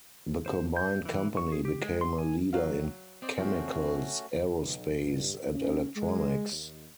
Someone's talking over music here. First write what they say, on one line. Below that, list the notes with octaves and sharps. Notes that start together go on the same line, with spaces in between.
The combined company became a leader in chemicals, aerospace, and electronics.
C5
G6
E3
C#6
G#4
G4
G#3
C6
G#5
F#3 F5
C4 C5 D5 D#5
F3 A3 C#4 F#4
B1
G2
C#4
G#3
D#2